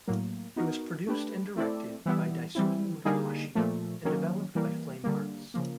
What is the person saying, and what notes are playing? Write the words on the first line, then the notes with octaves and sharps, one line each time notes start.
It was produced and directed by Daisuke Motohashi and developed by Flame Hearts.
A2 F#3 A#3
B3 D#4 F#4 A#4
A3 D4 G4 B4
A3 C4 E4 A4 D5
E3 G3 B3 E4
E3 G3 C4 E4
D3 G3 A#3 D#4 G#4
A#2 F3 A3
D#3 F#3 A#3 C#4
E3 G3 A#3
D3 G3 A#3
C#3 F3 A#3